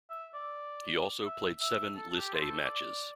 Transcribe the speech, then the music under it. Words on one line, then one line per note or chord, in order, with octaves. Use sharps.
He also played seven List A matches.
E5
D5
E5
E5
A4
A4
G4
C5
A4
D5